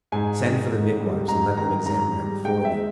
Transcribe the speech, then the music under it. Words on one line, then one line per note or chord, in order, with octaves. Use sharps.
Send for the midwives and let them examine her before thee.
G#2 G#5
D#3
G#2
G3
G#2 A#5
D#3 A#5
G#2 A#5
G3
G#3 G5
E5
G#3